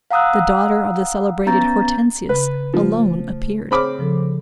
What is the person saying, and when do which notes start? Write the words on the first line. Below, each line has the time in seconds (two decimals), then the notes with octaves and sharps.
The daughter of the celebrated Hortensius alone appeared.
0.11 F5 F#5 A#5 D#6 E6 F#6
1.46 B3 C#4 A#5 G6 A6
2.29 C#3 B4
2.74 F3 A3
3.71 C4 G#4 C#5 B5 D6 F6
3.98 C#3 F3 A4